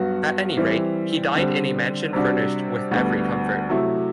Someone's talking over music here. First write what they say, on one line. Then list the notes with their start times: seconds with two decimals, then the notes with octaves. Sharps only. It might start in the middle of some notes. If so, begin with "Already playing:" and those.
At any rate, he died in a mansion furnished with every comfort.
Already playing: G2 F#3 B3 F#4
0.57 E3 G3 C4 E4
1.35 D3 G3 C4
2.13 C3 G3 D4 F#4
2.91 D2 D3 G3 B3
3.69 C3 F#3 A3 E4